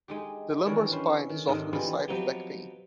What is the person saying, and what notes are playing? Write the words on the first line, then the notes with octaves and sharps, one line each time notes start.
The lumbar spine is often the site of back pain.
G#3 D#4 G4
D#3 E3 G3 D4 C#5
C#4 B4 C5
D#3
G#2 C3 D#3 D4 D#4 D#5
E3 F3 G3 G#3 B3 G4
F3 F#3 B3 C4 D#4 G4